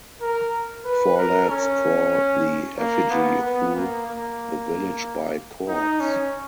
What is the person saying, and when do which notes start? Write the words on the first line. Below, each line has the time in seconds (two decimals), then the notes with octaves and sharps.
Four lads draw the effigy through the village by cords.
0.21 A#4
0.85 B4
1.17 A#4
1.50 C#4
2.79 A#3
3.11 B3
3.42 B3
3.76 A#3
4.07 A#3
5.68 D#4
6.00 C#4